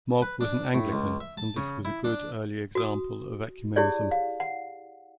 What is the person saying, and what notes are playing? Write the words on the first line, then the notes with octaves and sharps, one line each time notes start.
Mogg was an Anglican and this was a good early example of Ecumenism.
B4
D4
A2
C#2
E5
A5
C#3
E4
D4
F#4 D#6
E4 G4 G#4 C#5 D5
F5
F#5